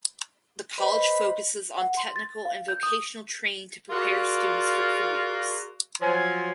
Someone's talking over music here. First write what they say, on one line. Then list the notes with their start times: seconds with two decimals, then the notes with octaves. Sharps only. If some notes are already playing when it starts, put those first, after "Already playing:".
The college focuses on technical and vocational training to prepare students for careers.
0.78 B4 C5 D#5 B5
1.78 F#5
1.97 C6
2.16 A6
2.45 F5
2.68 G6
2.83 D#6
3.91 F4 F#4 G#4 A#4 D5 F5
6.02 F3 F#3 G#5